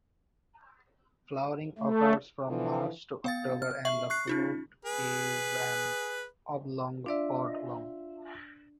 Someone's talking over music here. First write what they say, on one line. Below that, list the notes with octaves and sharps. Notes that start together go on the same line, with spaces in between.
Flowering occurs from March to October and the fruit is an oblong pod long.
A3
D3 E3 F3
B3 F5 A6
F6
E5 C#6 F#7
C#6 F#6 C7
C#4 D#4 F4
G#4 B4
D4 F4 D5 E5